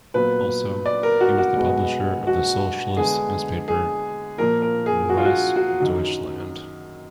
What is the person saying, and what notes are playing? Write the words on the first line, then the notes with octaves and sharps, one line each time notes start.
Also, he was the Publisher of the socialist newspaper "Neues Deutschland".
A#2 F#3 B3 B4
D5
A#4
F#4
F#4
B2 G#3 B3
F#4
D3 G#3 B3 G#4
G#4
A#2 F3 A#3 A#4
A#4
G#4
F#4
F4
F#4
F#4
F#2 D#3 F#3